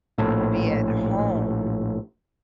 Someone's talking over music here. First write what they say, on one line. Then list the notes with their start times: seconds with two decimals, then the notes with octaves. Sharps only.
be at home,
0.18 A#1 A2